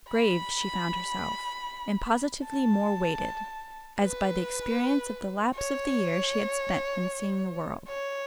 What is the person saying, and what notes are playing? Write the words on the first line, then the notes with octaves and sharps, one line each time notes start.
Grave she found herself, and positively more weighted, as by the experience of the lapse of the year she had spent in seeing the world.
B5
A5
B4
C#5
C#5